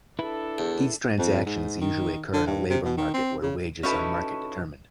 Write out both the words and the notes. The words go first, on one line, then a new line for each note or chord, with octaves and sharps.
These transactions usually occur in a labour market where wages are market determined.
D4 E4 A4 B4
E2
F2
G#2
D#3
D3
G2
C3
B2
D#3
C4
C#3
C#4 D#4 E4 F#4 A4 B4